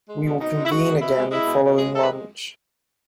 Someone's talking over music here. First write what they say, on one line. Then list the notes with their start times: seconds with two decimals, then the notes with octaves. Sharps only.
We will convene again following lunch.
0.09 G#3
0.24 B2
0.39 B2 D#4
0.55 G#3
0.64 E4
0.70 G#3 F#4
0.85 B2
1.00 B2 E4
1.16 G#3
1.31 G#3 E4
1.46 B2
1.62 B2
1.77 G#3 G#4
1.92 G#3 A4
2.02 B4